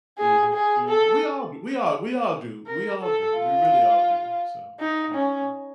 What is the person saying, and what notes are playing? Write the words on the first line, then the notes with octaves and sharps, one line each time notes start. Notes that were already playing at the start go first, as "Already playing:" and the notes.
Mhm, mhm. We all do. We all we all do. We all do. We really all do, so, you know.
G#4
G#4
A4
A#4
A4
F4
D#4
C#4